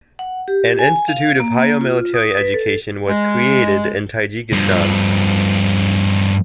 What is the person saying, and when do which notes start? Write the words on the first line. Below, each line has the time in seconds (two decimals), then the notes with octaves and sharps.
An institute of higher military education was created in Tajikistan.
0.19 F#5
0.48 G4
0.79 G#5
1.08 F5
1.40 A#3
1.81 F4
2.14 D#6
2.37 B4
2.54 A4
3.07 G#3
4.52 G2 F3